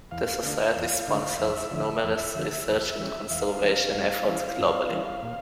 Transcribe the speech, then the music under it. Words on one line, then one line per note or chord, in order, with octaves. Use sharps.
The society sponsors numerous research and conservation efforts globally.
E2 F5
D3 A3 D4
E2
D3 A3 D4
E2 E5
D3 F3
E2
D3 F3
E2
E3 G3 C#4
E2 F5
E3 G3 C#4
G2
E3 G3 C#4 E4
G2
E3 G3 C#4 E4
A#2